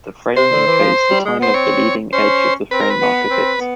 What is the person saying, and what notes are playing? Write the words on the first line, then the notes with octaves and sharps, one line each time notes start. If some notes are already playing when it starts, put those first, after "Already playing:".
The frame encodes the time of the leading edge of the frame marker bit.
C3 C5
D3
E3
F3
G3
G#3
B3 C5
C4 C#5
C#4 C5
C4 B4
A#4
B4
B3
C4
B3